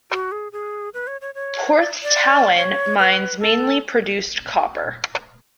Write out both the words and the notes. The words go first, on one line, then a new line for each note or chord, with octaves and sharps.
Porthtowan mines mainly produced copper.
F#4
G#4
G#4
B4
C#5
C#5
C#5
D5
D5
C#5
B4
A4